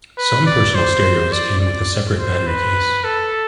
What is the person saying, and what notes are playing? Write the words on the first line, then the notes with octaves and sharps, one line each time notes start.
Some personal stereos came with a separate battery case.
B4
D5
C5
D5
D5
C5
B4
A4